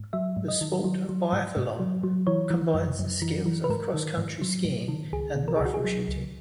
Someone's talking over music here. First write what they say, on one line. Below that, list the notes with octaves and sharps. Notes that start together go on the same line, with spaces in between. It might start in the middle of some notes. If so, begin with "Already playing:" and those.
The sport of biathlon combines the skills of cross-country skiing and rifle shooting.
Already playing: G#2
F#3 E5
G#2
D#5
D#3
F#3
F#3
G#2
G#2
F#3
F#3
E3 C#5
E3
F#2
F#2
E3
E3
B4
G#2 A#4
D#3
G#2
F#3
G#2
D#3
C#2 G#4
B2
A#4
G#4
C#2
F#4
G#4
F#3
C#2